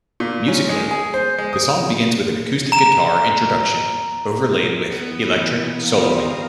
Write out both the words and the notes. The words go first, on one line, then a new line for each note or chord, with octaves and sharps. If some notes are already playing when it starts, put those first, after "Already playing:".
Musically, the song begins with an acoustic guitar introduction overlaid with electric soloing.
A#2
C#4
G#3
G#4
C5
G#3
D#6
A#5 E7
E3 B3
F5 A#5 D#6
G3 C4